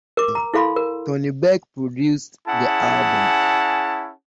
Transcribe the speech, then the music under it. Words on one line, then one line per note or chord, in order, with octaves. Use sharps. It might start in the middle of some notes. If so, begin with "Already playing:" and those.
Tony Berg produced the album.
A#4 D6
A#5
E4 A4 F5 B5 C6
A#4
C#4 E4 G#4 F#5 A5